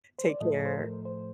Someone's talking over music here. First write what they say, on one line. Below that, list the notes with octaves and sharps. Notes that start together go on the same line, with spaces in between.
Take care.
C5
D5
A2 F3 A3 D#5
C5
A#4
C5